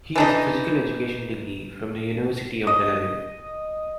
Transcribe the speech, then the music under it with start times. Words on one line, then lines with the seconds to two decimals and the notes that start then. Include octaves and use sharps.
He has a physical education degree from the University of Delaware.
0.16 E3 D4 D#4
2.67 D#5